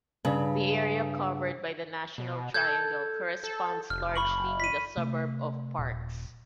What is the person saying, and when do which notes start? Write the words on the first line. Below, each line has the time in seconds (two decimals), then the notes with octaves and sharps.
The area covered by the National Triangle corresponds largely with the suburb of Parkes.
0.25 G2 C#3
2.18 B2
2.54 A4 G6 G#6
3.44 A4
3.90 F1 F6
4.16 F#1 B5 C#6 F#7
4.60 B6 D#7
4.97 C3 A3
5.79 D#1 A#2